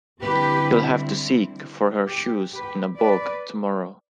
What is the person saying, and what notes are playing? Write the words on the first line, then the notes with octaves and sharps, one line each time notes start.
You’ll have to seek for her shoes in the bog tomorrow.
D3 G3 C4 E4 G4 B4
G4
G4 B4
B4 D5